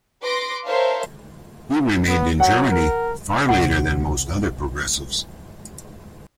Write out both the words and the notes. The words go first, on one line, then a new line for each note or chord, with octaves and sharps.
He remained in Germany far later than most other progressives.
B4 C6 D6 A#6
A#4 C5 C#5 E5 F5 A5
B3
F#3 F#5
A#4
C2 F#5